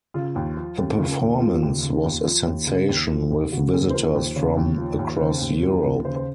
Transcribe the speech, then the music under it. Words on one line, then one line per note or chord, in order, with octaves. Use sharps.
The performance was a sensation with visitors from across Europe.
C#3 F4
D#2
F3
D#2
C#3 F4
D#2
F3 F4
D#2
C#3
D#2
F3
D#2
C#3
D#2
F3
D#2
C#3 F#4
D#2 G#4
C5
F3 A#4
D#2 C5
C#3 C#5
D#2
F3
D#2
C#3 C5
D#2
F3
D#2
C#3 C5
C5